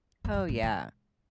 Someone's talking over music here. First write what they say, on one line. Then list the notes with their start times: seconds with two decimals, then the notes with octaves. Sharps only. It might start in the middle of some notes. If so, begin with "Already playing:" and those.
Oh, yeah.
0.25 F2
0.34 F#2
0.49 G#2
0.63 D#3